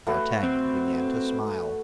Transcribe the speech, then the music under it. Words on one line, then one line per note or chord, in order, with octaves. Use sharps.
D'Artagnan began to smile.
A3 F#4 B4
C4